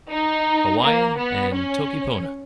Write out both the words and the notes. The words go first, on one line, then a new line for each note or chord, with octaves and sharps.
Hawaiian and Toki Pona.
D#4
A#3
B3
C#4